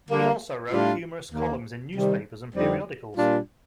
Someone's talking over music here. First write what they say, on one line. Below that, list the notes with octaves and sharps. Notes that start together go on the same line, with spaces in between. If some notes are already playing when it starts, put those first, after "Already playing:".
He also wrote humorous columns in newspapers and periodicals.
D3 G3 A#3
A2 G3 D4 F4
D#2 D#3 A#3
C3 D#3 G3 C4
F2 D3 G3 C4 D#4
A#2 G3 D4 F4